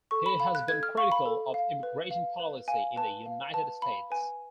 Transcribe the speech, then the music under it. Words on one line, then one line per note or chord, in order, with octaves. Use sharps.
He has been critical of immigration policy in the United States.
A4 C#6
B5
F5 B5
F#6
A4 G#6
F6
F5 C#6
B5
A4
F5
B4
F5
B4
F5 G#5
B4 A5
F5
B4 A5
F5 B5
B4 G#5